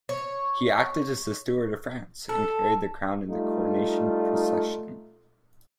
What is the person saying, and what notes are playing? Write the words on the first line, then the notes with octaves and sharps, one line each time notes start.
He acted as Steward of France, and carried the crown in the coronation procession.
C#5
A4
G3 A3 D#4 F4